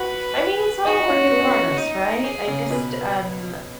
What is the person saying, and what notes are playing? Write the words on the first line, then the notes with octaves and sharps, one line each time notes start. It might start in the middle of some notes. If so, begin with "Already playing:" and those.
I mean, it's all a work in progress, right? I just, um
Already playing: F#4 B4
D#4 F#4
D#4
C#4
B3
C#4
B3
D#4
G#4
C#3
B2 B4